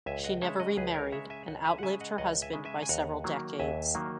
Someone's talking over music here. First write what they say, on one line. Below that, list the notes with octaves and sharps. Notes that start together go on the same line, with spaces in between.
She never remarried and outlived her husband by several decades.
C#2 E5 G#5
D#5 F#5
C#3 G#3 C#5 E5
D#5 F#5
C#2 G#4 B4
A#4 C#5
C#3 G#3 C#5 E5
E5 G#5
C#2 D#5 F#5
E5 G#5
F#5
C#3 G#3 E5 G#5
D#5 F#5
C#2 D#5 F#5
E5 G#5
C#3 G#3
E5 G#5
G#5
D#2 F#5 A#5
D#3 F#3 A#3
D#2 E5 G#5
D#3 F#3 A#3